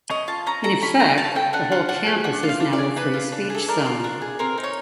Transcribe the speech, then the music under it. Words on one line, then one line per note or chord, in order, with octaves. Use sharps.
In effect, the whole campus is now a 'free-speech zone.
C#4 D#5
F4 A5
C#4 A#5
A4 A#5
C#4 B5
F4 A#5
C#4 A5
A4 G5
D4 F#5
F4 F#5
D4 F#5
G#4 F#5
D4 F#5
F4
F5
D4
D5
G#4
D4 B4
F4
D4
G#4 A4
D4 A#4
F4
D4
G#4
C4 A#4
D#4
C#5